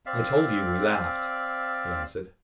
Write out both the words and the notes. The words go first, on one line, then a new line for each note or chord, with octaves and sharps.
'I told you we laughed,' he answered.
C4 D5 E5 F5